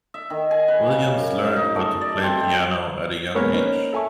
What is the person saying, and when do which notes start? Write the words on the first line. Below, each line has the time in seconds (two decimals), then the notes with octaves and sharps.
Williams learned how to play piano at a young age.
0.14 E5
0.30 D#3
0.51 G#5
0.68 B4
0.88 C#3
1.17 F#2
1.56 D#4
1.75 A3
2.01 D5
2.22 C4
2.40 G5
3.34 G#3 A#3 B3 A#4 C#5
3.53 A#3 C#4 D#4 B4 C5
3.93 A4 E5 G#5 A5 C#6